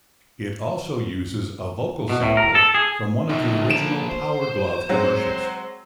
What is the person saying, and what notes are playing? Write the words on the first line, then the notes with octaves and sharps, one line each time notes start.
It also uses a vocal sample from one of the original Power Glove commercials.
B2
A2
A#4
A4
G#4
A#1 C#3 D#4
F3 A#3 D7 E7
C5
F#3 G#3 C4